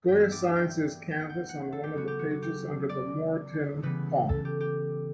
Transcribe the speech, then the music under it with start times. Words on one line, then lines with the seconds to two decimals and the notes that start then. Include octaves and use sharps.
Goya signs his canvas on one of the pages under the Moratin palm.
0.08 G2 E3 B3 G5
0.20 E5
0.32 D5
0.44 E5
0.56 G5
1.11 G5
1.20 F#5
1.29 G5
1.49 F#5
1.72 A4
1.83 G4
1.94 C#3 F#3 B3 F#4
2.08 G4
2.19 F#4
2.31 F#4
2.42 G4
2.89 D5
3.82 C#3 E3 G3 B3 B4
4.29 A4
4.45 G4
4.60 G4